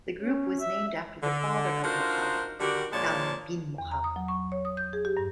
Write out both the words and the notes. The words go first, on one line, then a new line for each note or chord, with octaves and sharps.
The group was named after the father of Mohammad, Thani bin Mohammad.
C#4
E5
D3
D4 D#4 F4 F#4 A#4 C5
D3 D#3 G3 F#4 G4 A#4
A#2 F3 G#3 C#5 D5 A5
E2
A#5
D#6
F#3
C#6
C#5
D#6
G6
G#4
G4
G2